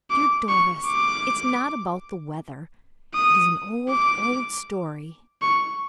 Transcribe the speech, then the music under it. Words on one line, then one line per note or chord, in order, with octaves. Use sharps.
"Dear Doris, it is not about the weather; it is an old, old story."
D6
C#6
D6
D#6
D6
C#6